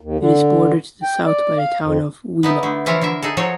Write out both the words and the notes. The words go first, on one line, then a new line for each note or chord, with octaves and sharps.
It is bordered to the south by the town of Wheelock.
D#2
D3
G5
D5
F5
F2
B3 D#4 E4
D3 A3
E3 F3 E4 F4 C#5
D3 E4 A#4 E5
D#4 G#4 A4
F3 F#3 D#4 F#4 A4 C#5